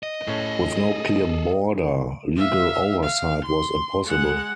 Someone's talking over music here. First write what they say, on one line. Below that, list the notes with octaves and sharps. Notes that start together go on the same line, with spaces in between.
With no clear border legal oversight was impossible.
D#5
A2 C#4 G#4 A4
E5 F5
F5
C6
G#3 F#5